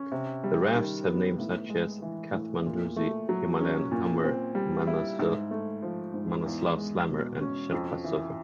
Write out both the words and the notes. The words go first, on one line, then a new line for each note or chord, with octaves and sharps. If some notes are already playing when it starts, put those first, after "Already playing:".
The rafts have names such as "Kathmandoozy", "Himalayan Hummer", "Manaslu Slammer", and "Sherpa Surfer".
Already playing: C#4
C3
G3
D#3
B3
A2
G#3
E3
A2
A#2
A3
F#3
C#4
A#2
C4
G3
E4
G#2
A3
F3
G#2
E2
G#3
B2
C#4
F2
E3